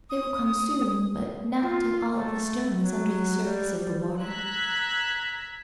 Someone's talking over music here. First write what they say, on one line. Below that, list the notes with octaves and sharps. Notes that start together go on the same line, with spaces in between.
"They will come soon, but not until all of this dome is under the surface of the water."
D#6
F4
A3
F#3
G3
A#5 E6 F#6 G#6 B6